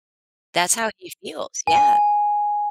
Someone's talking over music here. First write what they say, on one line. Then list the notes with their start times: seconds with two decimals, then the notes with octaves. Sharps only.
That's how he feels. Yeah.
1.67 G#5